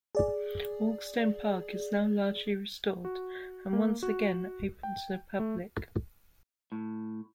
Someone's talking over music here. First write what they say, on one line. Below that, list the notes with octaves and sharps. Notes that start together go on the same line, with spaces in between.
Hawkstone Park is now largely restored, and once again open to the public.
G#4 D5
F#4
A#3
F#4
G5
A3
A2